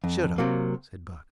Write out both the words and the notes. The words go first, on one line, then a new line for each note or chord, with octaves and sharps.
"Shut up," said Buck.
F2
C3 F#3 A#3